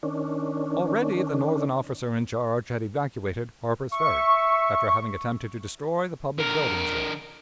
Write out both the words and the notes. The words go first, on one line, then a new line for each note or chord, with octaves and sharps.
Already the Northern officer in charge had evacuated Harper's Ferry, after having attempted to destroy the public buildings there.
D#3 C#4 D4
E5 C#6
D3 A#4